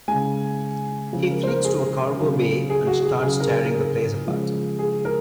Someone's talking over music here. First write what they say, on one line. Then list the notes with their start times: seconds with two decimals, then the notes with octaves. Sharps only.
He flees to a cargo bay and starts tearing the place apart.
0.08 C#3 G#3 G#5
1.13 C#3 F3 G#3
1.30 A#4
1.43 C5
1.47 A#4
1.64 G#4
2.17 C#3 F#3
2.70 G#4
2.87 F#4
3.00 F#4
3.05 G#4
3.22 C#3 F#3 G#4
3.40 A#4
3.48 G#4
3.65 A#4
3.74 G#4
4.27 C#3 F3 G#3
4.79 G#4
5.05 A#4